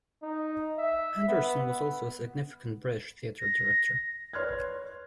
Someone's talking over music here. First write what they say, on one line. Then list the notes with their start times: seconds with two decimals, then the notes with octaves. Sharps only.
Anderson was also a significant British theatre director.
0.22 D#4
0.78 E5
1.28 B3
3.39 A#6
4.33 B4 C#5 C6 F6 F#6 G#6